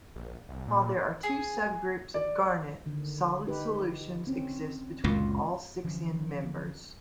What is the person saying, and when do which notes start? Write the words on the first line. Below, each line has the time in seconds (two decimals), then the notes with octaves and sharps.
While there are two subgroups of garnet, solid solutions exist between all six end-members.
0.16 A#1
0.49 C2
0.68 A#2
1.23 G#4
2.14 D5
2.86 D3 D#3
3.47 D#4 G4 B4
4.27 C4 C#4
5.04 C#2 F#2 A#2 F4
5.85 D3 E3 F3 C#4